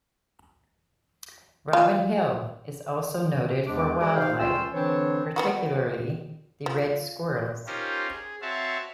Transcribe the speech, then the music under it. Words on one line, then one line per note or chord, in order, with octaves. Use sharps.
Robin Hill is also noted for wildlife, particularly the red squirrels.
F4
E2 G#3 D4 D6
G#3 F#4 G#4 D5 A#5 D6
D#4 G4 C5 F5
C#2 C#4 F4 G5 C6 E6
D3 E3 C4 D4 C5 C#5
F#3 B3 F#4
F3
C#4 D#4 F4 G4 A#4 C5
G#4
C4 F#4 C#5 E5 F5 A5